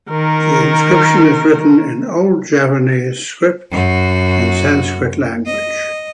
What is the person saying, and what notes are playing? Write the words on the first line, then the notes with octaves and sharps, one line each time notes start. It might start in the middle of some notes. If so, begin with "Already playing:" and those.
The inscription is written in Old Javanese script and Sanskrit language.
D#3 A#4
F#2 F#4
D#5